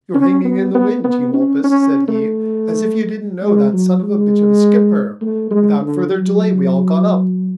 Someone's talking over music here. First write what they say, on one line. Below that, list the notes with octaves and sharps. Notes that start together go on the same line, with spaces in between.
"You're hanging in the wind, Eumolpus," said he, "as if you didn't know that son-of-a-bitch of a skipper!" Without further delay we all got up.
C#4
B3
B3
B3
C#4
C#4
A3
G#3
F#3
G#3
A3
G#3
D3
F#3